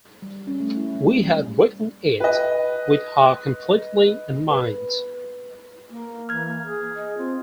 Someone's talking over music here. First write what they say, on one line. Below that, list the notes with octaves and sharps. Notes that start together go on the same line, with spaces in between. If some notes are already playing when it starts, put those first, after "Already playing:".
We had written it with her completely in mind.
G3
C#4
A3
E4
G3
G#3
G3
B4 D#5
B4
A#3
E3 F6 G#6
G#4
D#5
C4 F4